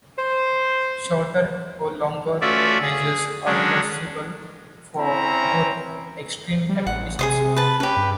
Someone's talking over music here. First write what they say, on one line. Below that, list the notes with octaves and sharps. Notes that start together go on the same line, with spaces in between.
Shorter or longer measures are possible for more extreme applications.
C5
A3 C#4 F4 F#4 D5 E5
G#4
D#3 F#3 G#3 C#4 D4
C4 C#4 E4 A#5
G3
A1 F#5
C3 G#4 C5 D#6
B4 A5
C#4 G4 B4
G2